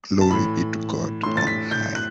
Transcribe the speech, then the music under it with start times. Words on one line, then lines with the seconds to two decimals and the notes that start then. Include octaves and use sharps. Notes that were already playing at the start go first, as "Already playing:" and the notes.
Glory be to God on high.
0.21 A5
0.30 A2 E3 B5
1.23 A2 E3 C6
1.37 A6
1.47 B6
1.71 G6
1.95 F#6